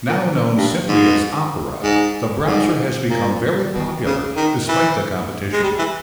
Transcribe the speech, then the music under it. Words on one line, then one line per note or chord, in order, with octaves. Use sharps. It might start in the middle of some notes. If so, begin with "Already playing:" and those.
Now known simply as Opera, the browser has become very popular despite the competition.
A#2
G2
G#2
G#2
G#2
A#2
B2
C#3
D#3
E3
G#3
G3
E3